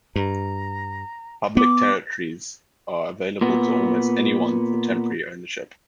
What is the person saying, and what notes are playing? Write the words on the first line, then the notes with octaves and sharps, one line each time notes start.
Public territories are "available to almost anyone for temporary ownership".
G2 A#5
B3 D6
A#2 B3